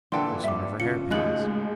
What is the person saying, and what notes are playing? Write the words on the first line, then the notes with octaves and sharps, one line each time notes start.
It was one of her hairpins.
A#2 D3 E3 D4 A4 G5 C6
G2 E5 D6
E1 C#3 F4 C#7
G#1 D#2 A2 G#3 D#5 F#6 F#7